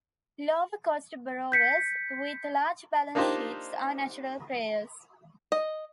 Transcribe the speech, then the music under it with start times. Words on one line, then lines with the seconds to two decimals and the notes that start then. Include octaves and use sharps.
Lower cost borrowers, with large balance sheets, are natural payers.
1.52 G6 B6 C#7
3.15 A#3 D4 D#4 F4 G4 C5
5.52 D#5